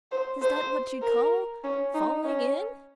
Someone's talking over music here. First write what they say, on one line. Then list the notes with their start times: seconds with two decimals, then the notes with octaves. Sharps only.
"Is that what you call FALLING IN?"
0.12 C5
0.42 C5
1.03 A#4
1.64 C#4
1.94 D#4
2.24 C#4